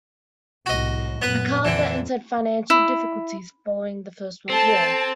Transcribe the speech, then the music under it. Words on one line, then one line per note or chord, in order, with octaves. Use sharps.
McArthur entered financial difficulties following the First World War.
C2 A2 F#4 D#5
F#2 A#2 B3 B4
F2 D3 E3
E4
C4 A4 A5